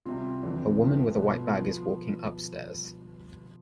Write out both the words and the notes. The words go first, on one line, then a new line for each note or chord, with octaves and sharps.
A woman with a white bag is walking upstairs.
C3 G3 C4 F4
E2 D3 F3 C4
G2 F3 A3
B2 B3 F4 A4
F3 B3 F4